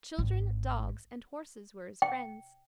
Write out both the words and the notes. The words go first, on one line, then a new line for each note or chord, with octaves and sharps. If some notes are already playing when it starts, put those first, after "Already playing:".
Children, dogs and horses were his friends.
G#1
G5